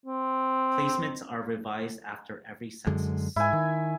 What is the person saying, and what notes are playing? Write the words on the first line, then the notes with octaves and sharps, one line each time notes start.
Placements are revised after every census.
C4
F#2 D3 G#3
G#2 E4 G#5
D#3